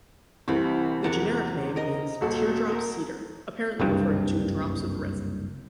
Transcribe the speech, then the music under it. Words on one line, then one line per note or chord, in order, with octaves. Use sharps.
The generic name means "teardrop cedar", apparently referring to drops of resin.
C2 C3 E3
E2 A#4 F#5 A5
A#4 D#5
D#1 F#4 A4
A#4
F#1 C2 G2